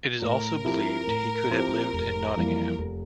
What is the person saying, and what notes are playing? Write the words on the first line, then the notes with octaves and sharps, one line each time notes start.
It is also believed he could have lived in Nottingham.
A2 A#4
F3 C4 E4 G4
A2
F3 C4 E4 G4
F1
F2 E3 G3 A#3
F1